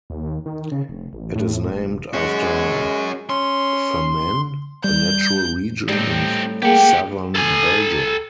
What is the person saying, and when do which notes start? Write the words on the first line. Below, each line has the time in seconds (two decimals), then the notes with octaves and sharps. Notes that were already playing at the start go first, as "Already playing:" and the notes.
It is named after Famenne, a natural region in southern Belgium.
0.10 D#2
0.46 D#3
0.72 C#3
0.89 F1
1.13 A1
1.35 A2
1.70 F1
2.13 G#3 C#4 F#4
3.30 C#4 C6
4.84 G3 G6
5.89 A2 G3 C4 D#4
6.62 A#3 G4 G#4 F#5 G5
7.35 A4 G#5